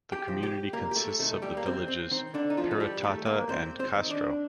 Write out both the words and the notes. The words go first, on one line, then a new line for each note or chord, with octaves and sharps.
The community consists of the villages Peratata and Kastro.
G4 G5
C3 F3
G4 G5
C2 A#3 A#4
G4
A3 A4
C3 D#3 A3 A4
G3 G4
A#3
D#2 C4
C4
D#3 C4
D3 D4
D#4
D#2 F3 F4
A4
G3 G4
D#3 A3 A4
A#3 A#4
G2 C4 C5
C4 C5
D#3
D4 D5